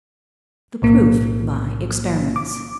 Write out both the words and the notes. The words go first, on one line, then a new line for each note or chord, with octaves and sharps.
The PROOF by Experiments.
B1 A2 A#3
D6